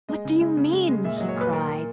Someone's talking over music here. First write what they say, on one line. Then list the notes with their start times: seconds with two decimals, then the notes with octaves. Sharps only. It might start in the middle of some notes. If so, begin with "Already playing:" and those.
"What do you mean?" he cried.
0.09 G#3 D#5
0.25 C#3
0.41 G#3
0.57 C#3
0.73 G#3
0.89 G#3
1.04 A#2 E5
1.17 F#3 D#5
1.29 C#5
1.36 A#2 B4
1.52 A#2 A#4
1.68 A#2